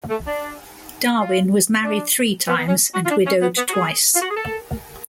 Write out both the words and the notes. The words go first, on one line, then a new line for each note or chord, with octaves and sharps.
Darwin was married three times and widowed twice.
A3
D4
F4
D4
B3
B3
C#4
F#4
F4
D4
C#4
B3
B3
F#4
G#4
F4
F#4
G#4
A4